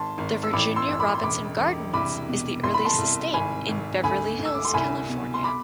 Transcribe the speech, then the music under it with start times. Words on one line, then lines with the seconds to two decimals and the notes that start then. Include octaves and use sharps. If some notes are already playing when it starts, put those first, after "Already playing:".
The Virginia Robinson Gardens is the earliest estate in Beverly Hills, California.
Already playing: G#1 A5 C6
0.18 G#1
0.43 E6
0.53 A1 B5 D6
0.76 C6 E6
0.88 A1 E6
1.00 B5 D6
1.14 C6
1.23 E1 B5 D6
1.58 E1
1.93 C2 B5 D6
2.29 B2
2.63 C2 C6
2.74 B5
2.85 A5 C6
2.98 C2
3.34 G#1 G#5 B5
3.68 G#1
4.03 D2 G#5 B5
4.39 D2
4.45 E6
4.54 D6
4.65 C6
4.74 C2 G#5 B5
5.09 B2
5.34 C6
5.44 B5 D6